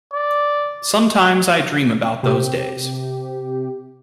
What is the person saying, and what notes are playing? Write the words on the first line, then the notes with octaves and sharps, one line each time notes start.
Sometimes I dream about those days.
D5
C3 G4